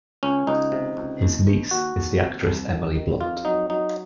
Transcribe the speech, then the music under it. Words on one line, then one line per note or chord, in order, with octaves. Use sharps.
His niece is the actress Emily Blunt.
C#2 C#4
C#2 D#4
C3
C#2
D#2
D#2
D#2 F#4
D#2
C3
C2
D#3
D#3
F2 F4
F#3 D#4
F#3 D#4